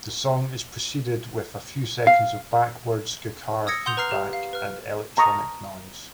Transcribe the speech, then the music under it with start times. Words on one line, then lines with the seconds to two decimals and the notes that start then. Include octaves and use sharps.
The song is preceded with a few seconds of backwards-guitar feedback and electronic noise.
2.07 F5
3.67 D#6 E6 G#6 A#6 C#7
3.86 F#5 C6 D#6 G6 F7
3.97 B4 A#5 F6 C7
4.09 G4 F7
4.33 F5
4.53 B4 F6
5.17 A5 A#5 C#6 D#6